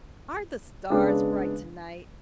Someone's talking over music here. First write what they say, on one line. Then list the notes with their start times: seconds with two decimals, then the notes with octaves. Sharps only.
Aren't the stars bright tonight?
0.90 C#3 G#3 B3 D4